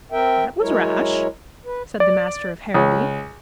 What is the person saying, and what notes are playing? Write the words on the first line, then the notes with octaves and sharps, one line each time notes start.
"That was rash," said the master of Harrowby.
C4 A#4 E5 G5
F#3 G#3 E4 A#4 C#5
B4
D5
C#2